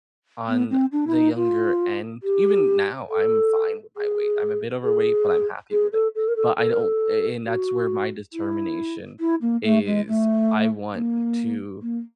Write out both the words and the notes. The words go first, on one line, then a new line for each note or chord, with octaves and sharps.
on the younger end even now, I'm fine with my weight. I'm a bit overweight, but I'm happy with it. But I don't a and that's where my determination is. I want to
B3
C4
D4
E4
D#4
F4
G4
A4
G#4
G#4
G#4
A4
A4
A#4
A4
A4
A#4
A4
F#4
E4
E4
A#3
A3
G#3
A3
A#3
A#3